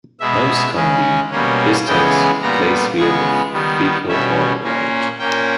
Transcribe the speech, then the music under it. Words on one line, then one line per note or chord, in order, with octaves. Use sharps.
Most commonly, this takes place via the faecal-oral route.
B2 G#3 B3 E5
C#3 G#3 C#4
B2 G3 A#3 C#4
C#3 E3 G#3 B3 G5
A#2 G3 B3 A#5
C#3 G#3 B3 C#6
D#3 G3 B3
B2 G3 C#4 E5
A#2 A#3 C#4
A#2 A#3 C#4 G5